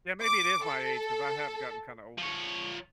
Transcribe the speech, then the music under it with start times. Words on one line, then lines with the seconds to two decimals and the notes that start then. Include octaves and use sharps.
Yeah, maybe it is my age 'cause I have gotten kinda older.
0.21 D6
0.63 A4
2.19 F3 C#5